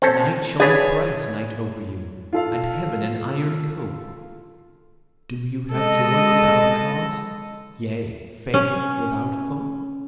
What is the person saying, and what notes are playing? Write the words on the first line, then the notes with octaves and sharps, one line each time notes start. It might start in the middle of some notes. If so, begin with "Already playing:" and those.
"Night shall be thrice night over you, And heaven an iron cope. Do you have joy without a cause, Yea, faith without a hope?"
C4 C#4 A4
D4 G#4 B4 C#5
F4 A4 F5
G#3 A4 D#5
C#4